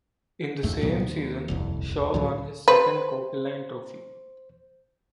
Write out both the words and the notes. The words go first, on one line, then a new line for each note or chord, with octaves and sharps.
In the same season, Shaw won his second Copeland Trophy.
A#1 D#2 G#2 A3
C2 A#2 F#3 B3
D#2
D#1 C2 F2
C#2 A2 D3 F#3
B4 C5